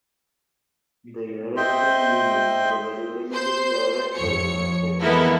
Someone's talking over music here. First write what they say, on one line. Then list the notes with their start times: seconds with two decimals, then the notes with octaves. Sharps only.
The European Union has a very limited direct role in sport.
1.57 C5 D#5 E5 G5 C6
3.33 C5 C6 G6
4.15 F2 C#5 C#7
5.02 E3 G#3 A#3 B3 E4 A4